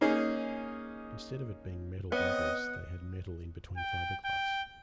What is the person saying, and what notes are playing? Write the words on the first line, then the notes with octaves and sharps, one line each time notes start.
Instead of it being metal bumpers, they had metal in between fiberglass.
A#3 C#4 D#4 G#4
B3 C4 C#5 D#5 F#5
G5
G5